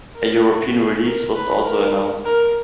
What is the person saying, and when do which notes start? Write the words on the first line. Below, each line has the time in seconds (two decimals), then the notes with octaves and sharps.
A European release was also announced.
0.15 A#4
0.45 F#4
0.74 G#4
1.05 A#4
1.34 B4
1.64 A#4
2.25 A#4